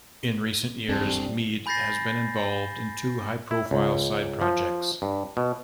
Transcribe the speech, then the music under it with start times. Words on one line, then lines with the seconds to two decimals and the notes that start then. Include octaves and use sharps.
In recent years, Mead has been involved in two high- profile side projects.
0.89 E1 F#2 E3 G3 C4 D4 A4 C5
1.66 G#5 B5 G6 A6 A#6 C7
3.51 E4
3.71 C#2
4.41 F3
5.02 G2
5.37 B2